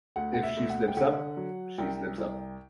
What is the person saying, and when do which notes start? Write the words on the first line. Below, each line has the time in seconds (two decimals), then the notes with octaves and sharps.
If she slips up, she slips up.
0.16 D2 F#5
0.34 F#5
0.43 E5
0.57 D2
0.70 F#5
0.88 G5
0.97 D3 F#5
1.37 F#3
1.78 C2 G5
2.18 C2